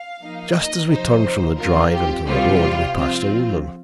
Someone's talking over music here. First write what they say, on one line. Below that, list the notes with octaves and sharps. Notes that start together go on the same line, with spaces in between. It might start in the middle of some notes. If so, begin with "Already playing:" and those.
Just as we turned from the drive into the road we passed a woman.
Already playing: F5
F3 A#3 D#4
D#5
C3 F3 D#4 C5
F3 C4 F4 A#4
G4
C3 G3 C4 F4
F3 C4 F4